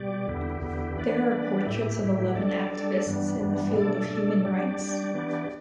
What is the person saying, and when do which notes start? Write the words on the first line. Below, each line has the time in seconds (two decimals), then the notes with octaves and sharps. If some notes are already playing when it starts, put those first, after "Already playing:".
These are portraits of eleven activists in the field of human rights.
Already playing: B2 G3 G4 D5
0.27 E2 D3 B3 E4 G4
0.61 E2 D3 B3 E4 G4
0.97 E3 B3 D4 B4 D5
1.31 E3 B3 D4 B4 D5
1.66 A2 A3 E4 G4
2.01 A2 A3 E4 G4
2.35 G3 D4 A4 D5
2.70 G3 D4 A4 D5
3.06 G2 E3 G3 B3 D4
3.39 G2 E3 G3 B3 D4
3.75 B2 A3 D4 A4 D5
4.10 B2 A3 D4 A4 D5
4.45 G3 D4 G4 D5
4.79 G3 D4 G4 D5
5.14 E3 B3 D4 G4 D5